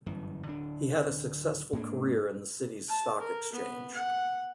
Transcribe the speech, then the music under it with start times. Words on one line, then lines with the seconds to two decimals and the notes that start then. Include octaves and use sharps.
He had a successful career in the city's Stock Exchange.
0.06 G1 F#2 E3
0.46 D1 D3 D4
1.73 G#2 A#3 D4
2.89 A5
3.20 A#4
3.52 B3
3.94 F#5